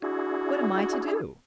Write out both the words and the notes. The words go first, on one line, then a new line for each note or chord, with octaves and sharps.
"What am I to do?"
D4 E4 F#4 G#4